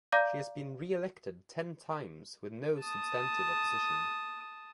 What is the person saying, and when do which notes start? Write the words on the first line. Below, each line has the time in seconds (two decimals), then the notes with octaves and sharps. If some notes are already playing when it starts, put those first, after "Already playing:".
She has been reelected ten times with no substantive opposition.
0.12 D5 F5 A#5 D6 G6
2.80 A5 D#6